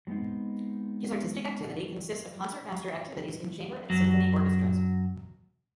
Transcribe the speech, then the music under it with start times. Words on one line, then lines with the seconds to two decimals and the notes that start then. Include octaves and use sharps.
His artistic activity consists of concertmaster activities in chamber and symphony orchestras.
0.07 F#3 G#3 B3 C4 D#4
3.90 F#2 F#3